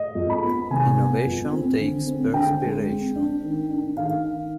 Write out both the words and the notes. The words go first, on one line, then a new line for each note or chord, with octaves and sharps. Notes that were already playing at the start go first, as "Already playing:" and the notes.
Innovation takes perspiration.
Already playing: D#5
F2
B5
B3
C3 G#5
B3
F2
C4
D3
C4
D3 G5
G#3
C4
D4
D#3
D4
D#3 F5
D#3